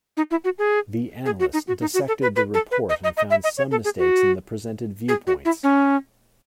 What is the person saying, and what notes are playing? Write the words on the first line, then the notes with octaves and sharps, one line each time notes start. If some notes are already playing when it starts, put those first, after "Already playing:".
The analyst dissected the report and found some mistakes in the presented viewpoints.
D#4
E4
F#4
G#4
G#4
F#4
D#4
F#4
D#4
F#4
A4
B4
B4
A4
B4
D#5
D#5
D#5
E5
D#5
C#5
A4
G#4
F#4
G#4
F#4
E4
C#4